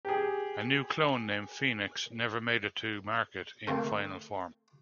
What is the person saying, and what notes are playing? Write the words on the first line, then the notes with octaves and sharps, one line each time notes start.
A new clone named Phoenix never made it to market in final form.
G4 G#4
A3 A#3 C4 A4